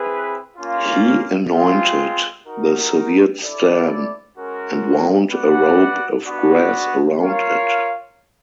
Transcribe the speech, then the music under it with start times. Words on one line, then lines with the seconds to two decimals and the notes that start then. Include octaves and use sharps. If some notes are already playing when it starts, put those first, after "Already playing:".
He anointed the severed stem and wound a rope of grass around it.
Already playing: C4 E4 G#4 B4
0.57 A#3 C#4 F4
1.52 G#3 C4 F4
2.46 D#4 F#4 A#4
3.41 E4 A4 D5
4.36 G#3 C#4 F#4 A#4
5.31 F#4 B4 D5 F#5
6.26 B3 D4 F#4
7.21 F4 A#4 C#5 F5